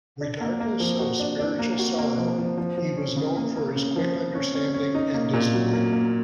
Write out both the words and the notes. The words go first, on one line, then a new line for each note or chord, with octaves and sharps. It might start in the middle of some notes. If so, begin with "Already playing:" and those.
Regardless of spiritual sorrow, he was known for his quick understanding and discipline.
D4
A#3
A#3
F3
F#4
D4
D4
A#3
F#4
A#3
F3
F3
F3
F3
C#4
C#3
A#3
A#3
C#3
F3
F3
C#4
C#4
C#4
D#4
A#3
A#2
F#3
A#3
A#3